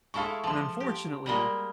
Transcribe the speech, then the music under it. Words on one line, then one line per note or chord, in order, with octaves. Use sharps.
and unfortunately,
G#3 E4 A4 F5 A5 C#6
F3 A5 C6
G4
G3 G#3 A#3